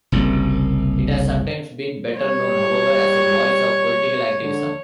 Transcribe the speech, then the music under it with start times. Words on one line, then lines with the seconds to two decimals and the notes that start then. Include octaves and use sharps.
It has sometimes been better known, however, as a voice of political activism.
0.12 F#1 C2
2.20 G3 C#5
4.42 D3